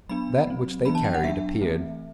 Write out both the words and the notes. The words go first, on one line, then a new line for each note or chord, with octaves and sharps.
That which they carried appeared.
F#3 B3 D4 B5
F#3 C4
E3 B3 D4 B5
A5
G5
F#5
F#3 B3 D4 E5
E3 A3 C4